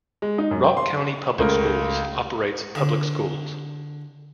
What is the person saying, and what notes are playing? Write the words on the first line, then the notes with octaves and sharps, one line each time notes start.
Rock County Public Schools operates public schools.
G#3
D#4
F#2
G5
C6
C#2 A3 A#4
D3